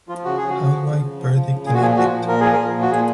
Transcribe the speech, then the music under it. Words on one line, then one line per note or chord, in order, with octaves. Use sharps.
Housewife, verdict and indict!
F3 F4
C#3 F#4
C#3 G#4
F#4
F3
F3
C#3
C#3
F3
F3
C#3
A#2 G#4
F#4
F3 G#4
F3 F#4
A#2
A#2 A#4
F3 G#4
A#4
F3
A#2
F#4
A#2 G#4